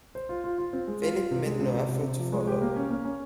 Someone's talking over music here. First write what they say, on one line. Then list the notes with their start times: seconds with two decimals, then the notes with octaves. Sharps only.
Philip made no effort to follow.
0.15 C5
0.29 F4
0.44 F4
0.58 F4
0.73 C4
0.87 G#3
1.02 F4
1.16 F4
1.31 C3
1.45 G#3
1.60 C3
1.74 C3
1.89 C3
2.03 C3
2.18 F3
2.32 G#3
2.47 G4
2.61 A#3
2.76 C#4
2.90 A#3
3.05 C#4